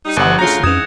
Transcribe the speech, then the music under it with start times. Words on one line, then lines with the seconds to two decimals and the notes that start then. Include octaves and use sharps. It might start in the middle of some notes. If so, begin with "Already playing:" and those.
Sound asleep!
0.03 G3 D#4
0.17 G1 B2 G3 F#5 F#6
0.39 D2 C#3 F4 A#5 G6 A#6 C#7
0.64 F2 G#2 E3 C#4 D#6 G#6 E7 F7